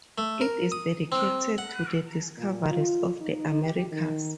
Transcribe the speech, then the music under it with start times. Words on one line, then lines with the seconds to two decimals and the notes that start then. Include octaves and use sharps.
It is dedicated to the "discoverers" of the Americas.
0.18 A3
0.41 A#4
0.72 D#6
1.12 C4
1.58 F#5
2.38 A#2
2.70 F4
3.22 D#4
3.63 G4
3.92 D#3